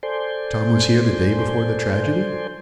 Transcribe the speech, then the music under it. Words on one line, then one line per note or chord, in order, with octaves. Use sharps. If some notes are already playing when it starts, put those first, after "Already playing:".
"Tom was here the day before the tragedy?"
A4 C5 D5 G#5 C6 G6